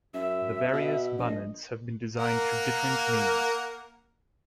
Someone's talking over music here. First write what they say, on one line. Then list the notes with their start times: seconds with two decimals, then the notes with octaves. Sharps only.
The various bunads have been designed through different means.
0.14 F#2 E5
0.73 B2
1.18 A#1 D#5
2.17 A#3 A#4 F#5